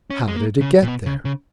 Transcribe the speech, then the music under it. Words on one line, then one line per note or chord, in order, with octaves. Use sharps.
How did it get there?
C#4
G#3
A#3
C#3
A#2
B2
C#3
C#3